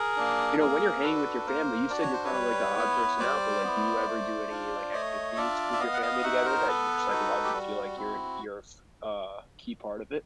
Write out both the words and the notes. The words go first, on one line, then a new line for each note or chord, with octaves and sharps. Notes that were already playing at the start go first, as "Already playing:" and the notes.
you know, when you're hanging with your family, you said you're kinda, like, the odd person out, but, like, do you ever do any, like, activities with your family together that you just, like, love and feel, like, you're in you're f a key part of it?
Already playing: G#4 A#4
A#3 D4
A#3 G#4 A#4
D4 F#4 A4 B4
A#3 A#4 C5
D4 F#4 D5
C#5
C5
B4 C#5
G3
B3 E4
G3 C5 D5
B3 E4
A3
D4 F4
A3 C#5 D#5
D4 F4 D5 E5
E5
B3 D#5 F5
F#5
D#5 F5
D#4 F#4 E5 F#5
A#4 C5
B3 A4 B4
D#4 F#4
G4
G3 F#4
C4 E4